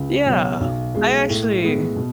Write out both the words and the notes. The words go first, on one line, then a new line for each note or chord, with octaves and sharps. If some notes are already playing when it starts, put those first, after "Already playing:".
Yeah. I actually
Already playing: C#2
B2 F#3
B1
B2 G#3
A2
G#3 B3
B2